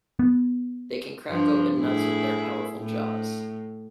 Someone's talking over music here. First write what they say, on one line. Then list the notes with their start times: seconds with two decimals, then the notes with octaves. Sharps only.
They can crack open nuts with their powerful jaws.
0.19 B3
1.29 G2 F3 D4
1.78 A2 E4 G#4
2.78 A2